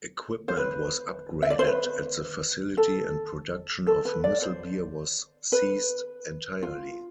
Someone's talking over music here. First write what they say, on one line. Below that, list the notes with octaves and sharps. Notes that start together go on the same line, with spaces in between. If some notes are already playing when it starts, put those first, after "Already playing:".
Equipment was upgraded at the facility and production of Muessel beer was ceased entirely.
C5
B4
E5
D5
C5
B4
A4
A4
B4
D5
C5
B4
F4